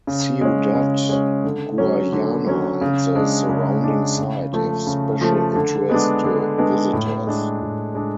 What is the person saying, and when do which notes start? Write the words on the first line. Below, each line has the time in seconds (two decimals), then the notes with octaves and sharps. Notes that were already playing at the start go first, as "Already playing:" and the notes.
Ciudad Guayana and the surrounding site have special interest to visitors.
0.07 C#3
0.41 G#3 C#4
0.75 C#3
1.09 G#3 C#4
1.44 D3
1.78 F#3 C#4
2.13 D3
2.47 F#3 C#4
2.81 C#3
3.15 G#3 D4
3.49 C#3
3.84 G#3 D4
4.18 C#3
4.53 F3 A3
4.87 C#3
5.21 F3 A3
5.55 D3
5.89 G#3 B3 D4
6.24 D3
6.58 G#3 B3 D4
6.93 A2
7.27 G#3 D4
7.61 A2
7.95 G#3 D4